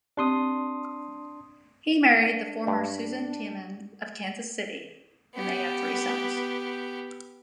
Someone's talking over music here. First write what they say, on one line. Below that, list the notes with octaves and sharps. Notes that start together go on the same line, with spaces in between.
He married the former Susan Tiemann of Kansas City and they have three sons.
C4 D4 G4 C6 D#6
D4
G2
B3 G4